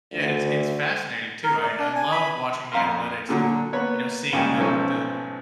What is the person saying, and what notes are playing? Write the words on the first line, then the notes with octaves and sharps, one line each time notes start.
Yeah, it's it's fascinating too, I I love watching the analytics, and, you know, seeing the the
D2
A#4
D5
D4
G#5
B5
F2 F5 A#5 C6 F6
A#2 D3 F#3
A#3 B3 B4 C#5
G2 C#3 G#3 A#3 G5 G#5
B1 G#2 F3 C#4 A4